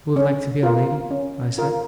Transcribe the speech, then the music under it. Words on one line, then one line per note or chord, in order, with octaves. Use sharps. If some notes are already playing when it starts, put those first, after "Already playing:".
'You would like to be a lady?' I said.
C#4
F4 A#4 F5
C#4
F4 A#4 F5